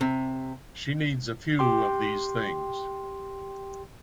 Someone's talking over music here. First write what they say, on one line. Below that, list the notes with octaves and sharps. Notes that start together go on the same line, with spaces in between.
She needs a few of these things.
C3
G4 G5 C6